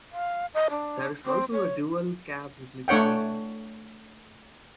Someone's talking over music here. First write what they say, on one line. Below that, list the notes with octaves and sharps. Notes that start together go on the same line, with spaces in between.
There is also a Dual Cab Utility variant.
F5
D#5
D4
C4
C#5
A3 D4 C#5 F#5 G5